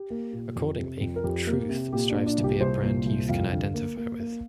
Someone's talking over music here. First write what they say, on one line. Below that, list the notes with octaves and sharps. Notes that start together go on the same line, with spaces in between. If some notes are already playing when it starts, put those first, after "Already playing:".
Accordingly, "truth" strives to be a brand youth can identify with.
Already playing: G4
A#3
A#2
F2
C3
F2
A#4
F2 G4
A#3
C3
A#2 G4
D4
A#2
D4
C2
G4
C2 C5
A#2
C2
F2 F5
D3
A#3
A#3
A#3